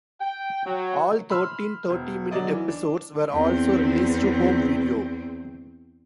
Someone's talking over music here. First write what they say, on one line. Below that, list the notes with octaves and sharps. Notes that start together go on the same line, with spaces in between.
All thirteen thirty-minute episodes were also released to home video.
G5
F#3
B5 C6 E6 F6
E1
D3 F#3 D5 D#5
E3
D4
E2 C4